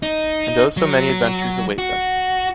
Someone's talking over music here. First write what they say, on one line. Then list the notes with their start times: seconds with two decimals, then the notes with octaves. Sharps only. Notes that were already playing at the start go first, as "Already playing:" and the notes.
And oh so many adventures await them.
0.02 D#4
0.77 F#3
1.78 F#4